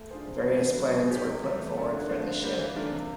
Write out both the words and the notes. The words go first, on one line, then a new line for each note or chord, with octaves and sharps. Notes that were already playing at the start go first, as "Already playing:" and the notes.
Various plans were put forward for the ship.
Already playing: A3
D4 F4 G#4 C5
C3
E3 G#3 B3 E4
D3
F#3 A3
G#3
C4 D#4 G4 A#4
C3
E3 G3
A3
C#4 E4 A4
D3
F3 A3 C4
D3
G3 A#3
E3
A3 D4 F4 A#4
C3